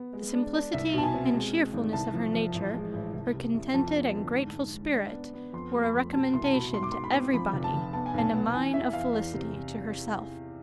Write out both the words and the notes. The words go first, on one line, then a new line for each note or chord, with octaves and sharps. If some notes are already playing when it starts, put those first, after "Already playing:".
The simplicity and cheerfulness of her nature, her contented and grateful spirit, were a recommendation to every body, and a mine of felicity to herself.
Already playing: B3
G#3
D4
D4
C2 E5
B2 A5
G#5
C4
G#3
G#3
G#1
C2 A5
F3
F3
A1
G#3
A1
C2
C3
C2
F2 A5
B3
D3
G#2
G#2
G#2
D4
B3
B3
F2 C6
A3
B5
F2
B2 A5
C2 C6
A5
B2 B5
G#2 C6
D6
G#2 C6
B5
C4
F3 B5
F1
A5
F1
B3 A5
G#5
B1 A5
B3
E3 G#5
E2 E5
E2 F5
E2
C3
C3